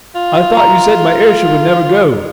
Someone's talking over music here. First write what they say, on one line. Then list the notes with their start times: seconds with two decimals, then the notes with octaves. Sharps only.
I thought you said my airship would never go!
0.15 F4
0.57 A#5